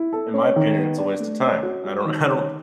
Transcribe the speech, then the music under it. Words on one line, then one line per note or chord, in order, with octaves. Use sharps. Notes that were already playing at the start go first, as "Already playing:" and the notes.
in my opinion, it's a waste of time, I don't I don't
Already playing: E4
A4
C#4
D#3
B3
D4
A3
C#4
F#4
G3
D#3
C#4